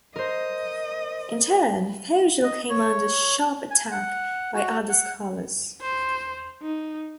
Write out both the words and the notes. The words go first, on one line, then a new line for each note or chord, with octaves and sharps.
In turn Fogel came under sharp attack by other scholars.
A#4 C5 D#5
D#5
C#5
G#5
F#5
F#4
F#5
C5
D#4